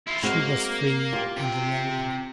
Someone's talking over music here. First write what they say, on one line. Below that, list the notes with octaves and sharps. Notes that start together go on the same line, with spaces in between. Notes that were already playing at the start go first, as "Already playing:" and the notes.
She was free and alone.
E4 F4
G#3 A#3 C4 F#4 F5
F4 G4
C3 G5